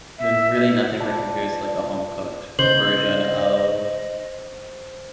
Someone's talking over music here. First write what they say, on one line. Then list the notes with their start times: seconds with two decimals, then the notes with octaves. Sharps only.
there's really nothing that compares to, like, a home cooked version of
0.18 E5
1.00 F4 D5 A5
2.59 C#3 C5 D#5 F#7